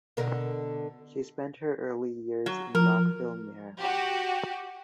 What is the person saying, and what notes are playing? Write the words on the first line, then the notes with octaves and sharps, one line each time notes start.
She spent her early years in Rockville, Maryland.
B2 D3 A#4
F#3
F3 A#4
F#4 G4